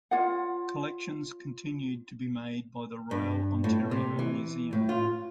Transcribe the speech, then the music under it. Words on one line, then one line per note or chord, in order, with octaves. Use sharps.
Collections continued to be made by the Royal Ontario Museum.
F4 C#5 F5 F#5
G2
A2
C3
E3
A2
F4